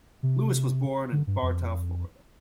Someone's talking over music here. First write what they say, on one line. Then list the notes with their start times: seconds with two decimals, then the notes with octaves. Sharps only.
Lewis was born in Bartow, Florida.
0.23 C3
1.12 D3
1.27 G2
1.42 F2